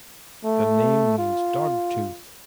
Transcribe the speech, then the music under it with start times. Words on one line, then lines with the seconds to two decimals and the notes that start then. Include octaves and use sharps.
The name means dog-tooth.
0.45 A3
1.18 F4